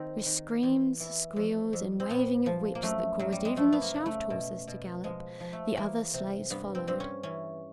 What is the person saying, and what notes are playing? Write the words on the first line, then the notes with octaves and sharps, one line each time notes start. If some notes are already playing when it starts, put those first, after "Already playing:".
With screams squeals, and waving of whips that caused even the shaft horses to gallop--the other sleighs followed.
Already playing: D#3 C4
D#3
E2
E3
F2
F2
C4
A#2 B3
F3
A#3
F#2 A3
F#2 F#3
G3
G#3
F3 A3
B3
A#3
C#3
A3
B2
B2
F3 G#3
F3
A3
E2 A#3
C3
G2 B3
C4
G2 C4
C#4
E3 C#4